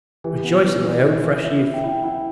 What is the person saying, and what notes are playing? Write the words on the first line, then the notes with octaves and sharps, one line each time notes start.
"Rejoice in thy own fresh youth!"
E3 G4
B3
E3
E3
E4
E3
E4 E5
E5
E4
G5
E4 G5
E4 F#5